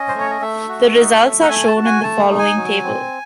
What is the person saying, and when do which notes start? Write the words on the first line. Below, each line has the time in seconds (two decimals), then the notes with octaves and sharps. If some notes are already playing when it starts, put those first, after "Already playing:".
The results are shown in the following table.
Already playing: C#4 D#5
0.08 C5
0.15 A3
0.20 C#5
0.31 D#5
0.42 A3 E5
0.69 F#4
0.95 D#4
1.23 A3
1.42 F#5
1.49 A3 G#5
1.67 A5
1.76 F#4
1.85 G#5
2.03 A3 A5
2.30 D#4
2.39 G#5
2.56 F#3
2.83 C4